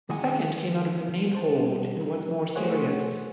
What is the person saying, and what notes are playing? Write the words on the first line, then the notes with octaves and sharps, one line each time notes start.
The second came out of the main hold and was more serious.
D#3 G#3 A#3 E4 F#5 G#5
G#3 C5 A5
G3
F#3 A3 G#4 C5 C#5 F#5